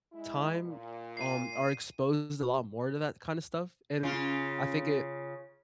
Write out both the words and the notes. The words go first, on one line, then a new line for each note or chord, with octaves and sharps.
time, um, are exposed a lot more to that kinda stuff, and I think it
G#3 E4
A#2
C7 D#7
C#3 F4